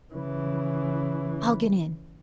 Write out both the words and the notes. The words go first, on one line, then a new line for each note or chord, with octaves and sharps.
I'll get in.
C#3 E3